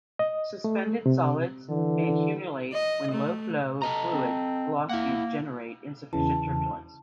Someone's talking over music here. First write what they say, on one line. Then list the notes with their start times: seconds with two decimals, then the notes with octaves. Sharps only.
Suspended solids may accumulate when low-flow fluid velocities generate insufficient turbulence.
0.19 D#5
0.64 A3
1.06 C3
1.70 D3 E3
2.73 D#5
3.12 A3
3.82 A4 D#5 A#5
4.13 C4
4.89 A#3 E4 F#5
6.13 E2 C#3 E3 A5